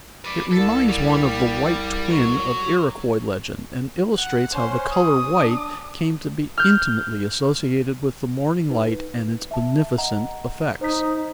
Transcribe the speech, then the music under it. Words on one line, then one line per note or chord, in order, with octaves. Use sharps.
It reminds one of the white twin of Iroquois legend, and illustrates how the color white came to be intimately associated with the morning light and its beneficent effects.
B4 D5
C2 A4
G3
F#3
F#5
C#4 C5
D#6
D4
F6 G6
D#4 B4
E5 A5
D#5 F#5 A#5
D#4 C5 B6